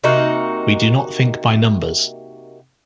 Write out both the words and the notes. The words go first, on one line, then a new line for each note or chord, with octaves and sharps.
We do not think by numbers.
C3 A#3 D#4 F#4